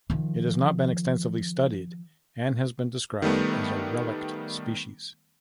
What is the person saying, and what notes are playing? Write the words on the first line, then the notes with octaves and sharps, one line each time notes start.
It has not been extensively studied and has been described a relict species.
D#3 F3
D#3 G3 A3 B3